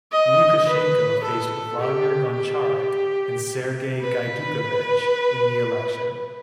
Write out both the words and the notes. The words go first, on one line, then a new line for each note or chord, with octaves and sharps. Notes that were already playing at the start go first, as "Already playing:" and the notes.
Lukashenko faced Vladimir Goncharik and Sergei Gaidukevich in the election.
D#5
B4
A4
G4
G4
B4